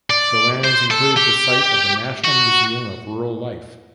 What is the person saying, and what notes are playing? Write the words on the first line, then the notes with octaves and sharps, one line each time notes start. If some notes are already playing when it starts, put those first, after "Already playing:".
The lands include the site of the National Museum of Rural Life.
D5
C5
A4
G4
F#4